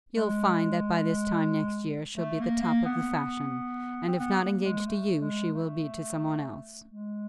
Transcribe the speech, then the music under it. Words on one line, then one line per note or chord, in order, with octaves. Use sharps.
You'll find that by this time next year she'll be the top of the fashion; and if not engaged to you, she will be to some one else.
G#3
A3
A#3
A#3
B3
C4
B3
A#3
G#3
A3
G#3
A3
G#3